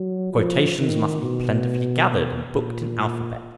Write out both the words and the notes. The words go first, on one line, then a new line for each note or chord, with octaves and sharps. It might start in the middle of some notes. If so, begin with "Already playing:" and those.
Quotations must be plentifully gathered and booked in alphabet.
Already playing: F#3
F3
D#3
B2
A#2